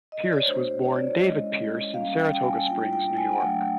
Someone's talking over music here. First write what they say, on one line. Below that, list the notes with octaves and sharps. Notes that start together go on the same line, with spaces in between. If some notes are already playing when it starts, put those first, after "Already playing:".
Pierce was born David Pierce in Saratoga Springs, New York.
D#5
D5
C#5
A3 D4 F#4 C5
C#5
D5
C#5
G#3 C#4 E4 D#5
G3 A#3 C#4 F5
G5
G5
G#5
G3 A#3 D4 F4 G5
G5
G#5
F#5
F#3 A3 D4 G5